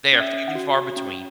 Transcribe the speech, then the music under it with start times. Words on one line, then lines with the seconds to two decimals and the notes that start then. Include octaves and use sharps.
they are few and far between.
0.13 C#4
0.20 E5
0.33 C#4
0.48 F#5
0.55 F#4
0.76 F#4
0.96 C#4